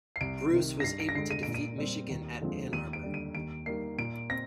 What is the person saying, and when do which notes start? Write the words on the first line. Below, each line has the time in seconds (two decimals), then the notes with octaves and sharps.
Bruce was able to defeat Michigan at Ann Arbor.
0.16 C7
0.21 C2 D7
0.52 C3 D#3
0.80 A#6
0.84 G2 C7
1.00 D7
1.09 A#6
1.15 D3 G#3 C7
1.31 D#7
1.43 A#2 D7
1.54 D#7
1.78 G3 C4
2.09 D#2
2.42 D3 F3 G#3 C4
2.72 D#2 D#7
2.93 D7
3.03 D3 G3
3.14 D#7
3.35 D#2 D7
3.66 D#3 G3 A#3 C7
3.98 A#2 D7
4.30 C4 A#6